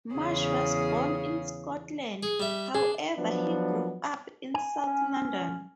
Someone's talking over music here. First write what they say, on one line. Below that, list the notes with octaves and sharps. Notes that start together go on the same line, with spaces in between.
Marsh was born in Scotland, however he grew up in South London.
E2 C#3 G#4
G#4
G3 E5
D4 G#4
F3 F#3 B3 D4
G#5
C#4